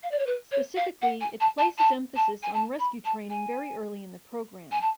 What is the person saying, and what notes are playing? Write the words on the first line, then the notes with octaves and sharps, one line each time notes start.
Specifically it places emphasis on rescue training very early in the programme.
F5
D5
C#5
B4
C#5
F5
F#5
G#5
A5
A5
A5
A5
G#5
A5
B5
A5
G#5
G#5
A5